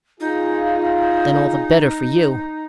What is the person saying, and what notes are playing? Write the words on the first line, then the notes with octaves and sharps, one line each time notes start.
Then all the better for you.
D#4 F4 G#4